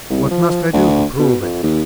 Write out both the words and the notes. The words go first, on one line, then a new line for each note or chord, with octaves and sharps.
"What must I do to prove it?"
C2
F3
D2
B2
F2
D#2